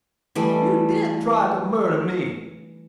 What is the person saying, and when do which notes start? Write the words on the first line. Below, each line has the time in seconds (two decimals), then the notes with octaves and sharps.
"You did try to murder me!"
0.35 E3 G3 A3